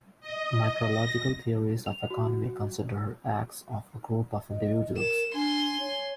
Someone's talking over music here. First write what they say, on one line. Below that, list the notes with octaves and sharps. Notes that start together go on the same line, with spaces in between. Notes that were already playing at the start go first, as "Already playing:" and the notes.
Micrological theories of economy consider acts of a group of individuals.
D#5
A#6
F7
F#4
D#5
A#4 E7
D4 G#5 C6
C#5